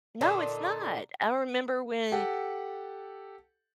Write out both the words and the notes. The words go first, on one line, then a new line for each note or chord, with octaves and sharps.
No, it's not. I remember when,
A#2 D3 D#4 A4
G4 A4 F#5